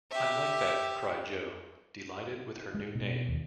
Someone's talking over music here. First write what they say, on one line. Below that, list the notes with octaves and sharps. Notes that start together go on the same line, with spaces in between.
"I like that," cried Jo, delighted with her new name.
G4 E5
G#3
B2
D#2